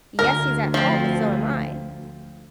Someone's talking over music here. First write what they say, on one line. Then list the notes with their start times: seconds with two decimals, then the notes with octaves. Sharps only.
Yes, he's at fault, but so am I,
0.19 D2 A#4
0.74 F3 C4